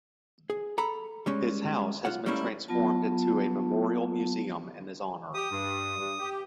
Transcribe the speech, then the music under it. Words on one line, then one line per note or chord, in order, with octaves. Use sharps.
His house has been transformed into a Memorial Museum in his honour.
G#4
A4 A#5 B5
G3 G#3 C#4
B1 F4 F#5
G3 A3 A#3 C#4 E4
F#3 B3 F4 A5
G4 D#6
G2
G2
G4